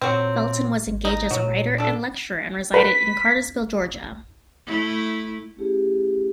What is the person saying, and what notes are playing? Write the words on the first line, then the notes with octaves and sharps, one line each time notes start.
Felton was engaged as a writer and lecturer and resided in Cartersville, Georgia.
A#2 F#3 C4
G#1
D#4
A#2 F#3
D4 A4
B4 B6
A3 E4
A3 C#4 E4 G4 G#4